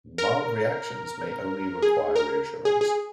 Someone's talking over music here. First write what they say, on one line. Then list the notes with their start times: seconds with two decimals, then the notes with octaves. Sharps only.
Mild reactions may only require reassurance.
0.18 A#4
1.82 G#4
2.16 A#4
2.65 G#4
2.81 G#4